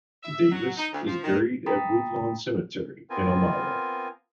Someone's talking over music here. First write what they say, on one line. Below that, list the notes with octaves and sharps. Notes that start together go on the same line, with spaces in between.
Davis is buried at Woodlawn Cemetery in Elmira.
E5
F#3
D#4
D2
F3
D#3
G5 A#5 B5 D#6 A6 B6
B3 C4 F4 A#4 G#5